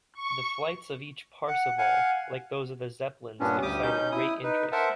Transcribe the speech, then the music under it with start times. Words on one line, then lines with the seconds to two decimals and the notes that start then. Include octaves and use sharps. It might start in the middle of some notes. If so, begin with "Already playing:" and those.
The flights of each 'Parseval', like those of the Zeppelins, excited great interest.
0.14 C#6
1.47 F#5
1.78 F5 F#5 G#5
3.40 G2 A#2 B3 C#4 D4
3.62 D2 G3 G4 D6 D#6
3.83 B2 C#4 D#4 G6
4.12 E4 D#6
4.43 D#4 B4
4.72 A#4 C5 E5 F#5 A5